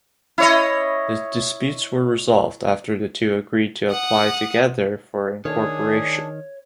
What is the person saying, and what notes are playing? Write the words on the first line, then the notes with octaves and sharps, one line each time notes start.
The disputes were resolved after the two agreed to apply together for incorporation.
E4 C#5 D#5
F#5 D#6
D#3 D4 G#4 C#5